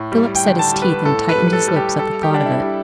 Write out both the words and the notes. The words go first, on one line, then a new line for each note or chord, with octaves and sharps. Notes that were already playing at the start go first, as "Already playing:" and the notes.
Philip set his teeth and tightened his lips at the thought of it.
Already playing: A2
G3
G5
D3
A5
G3
B4
A2 A4
B4
G3
B4
A4
G3 A4
G4
G3 A4
G4
G3 D4
E4
G3